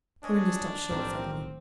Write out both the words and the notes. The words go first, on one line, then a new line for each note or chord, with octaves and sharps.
Clorinda stopped short suddenly.
D4 C#5 D#5 G#5
B1 A2 F3 C4 G4 A#4